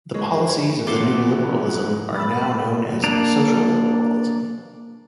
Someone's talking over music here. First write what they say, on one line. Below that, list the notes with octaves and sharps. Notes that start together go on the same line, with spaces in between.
The policies of the New Liberalism are now known as social liberalism.
G2 G#3 C#5
E2 F3 E4 A4 F#5 C6 D6
B5 E6 A6
A#3 D4 D5 A#5